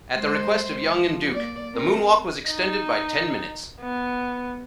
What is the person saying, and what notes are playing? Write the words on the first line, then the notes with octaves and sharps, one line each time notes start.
At the request of Young and Duke, the moonwalk was extended by ten minutes.
G#3 C5
F3
A#3 D5
C4 A#4
D#4
B3